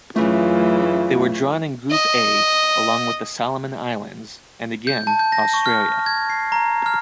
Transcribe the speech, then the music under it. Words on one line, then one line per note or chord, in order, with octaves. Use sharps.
They were drawn in Group A along with the Solomon Islands, and again, Australia.
F#2 C#3 E3 A3 F4
D#5
G6
A5
G6
A#6
C#6
F6
G#6
C7
A#5
F6